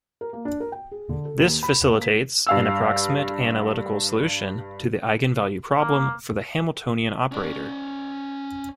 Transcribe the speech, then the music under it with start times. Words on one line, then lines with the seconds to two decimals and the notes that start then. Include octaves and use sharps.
This facilitates an approximate analytical solution to the eigenvalue problem for the Hamiltonian operator.
0.21 A#4
0.33 A#3
0.45 D4
0.60 A#4
0.72 G5
0.91 G#4
1.09 D3
1.25 A4
1.39 D#2
1.63 B5
1.83 A#3
2.02 B6
2.47 G2 F5 E6
5.79 A#3
7.32 C#4 D5